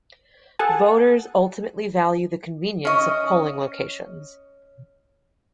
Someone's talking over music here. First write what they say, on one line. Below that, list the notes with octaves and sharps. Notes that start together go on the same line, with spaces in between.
Voters ultimately value the convenience of polling locations.
G#4 A4 F#5 G#5 A5
C#4 D#5